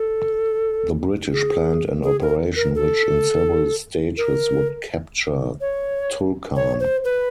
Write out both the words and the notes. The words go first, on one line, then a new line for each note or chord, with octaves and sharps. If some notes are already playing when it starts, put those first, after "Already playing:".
The British planned an operation which in several stages would capture Tulkarm.
Already playing: A4
G#4
G#4
A#4
A#4
A4
A#4
C#5
C#5
C5
B4